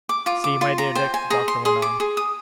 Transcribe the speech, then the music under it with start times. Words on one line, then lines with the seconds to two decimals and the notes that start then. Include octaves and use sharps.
"See, my dear Dick!" the doctor went on.
0.09 D6
0.26 F4 D6
0.44 D6
0.61 F4 C6
0.78 A#5
0.95 C5 G5
1.14 G#5
1.30 G#4 A#5
1.48 C6
1.65 G#4 C6
1.82 D6
2.00 G#4
2.17 D#6